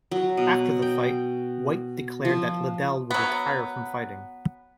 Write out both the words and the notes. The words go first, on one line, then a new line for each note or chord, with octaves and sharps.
After the fight, White declared that Liddell would retire from fighting.
F#3
B2
G5
F3
F#3 B3